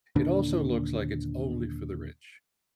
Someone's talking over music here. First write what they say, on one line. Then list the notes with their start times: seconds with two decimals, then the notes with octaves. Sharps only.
it also looks like it's only for the rich.
0.16 D#2 A#2 D3 D4